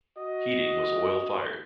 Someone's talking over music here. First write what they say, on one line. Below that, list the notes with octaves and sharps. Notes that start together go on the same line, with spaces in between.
Heating was oil fired.
F#4 D#5